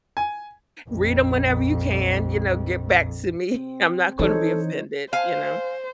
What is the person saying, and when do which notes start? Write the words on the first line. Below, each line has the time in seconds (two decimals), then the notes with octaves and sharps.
Read 'em whenever you can, you know, get back to me. I'm not gonna be offended," you know.
0.17 G#5
0.89 A#1 F2
3.54 C4
4.19 E3 D#4 A4 C5 C#5
5.13 C5 F5 G#5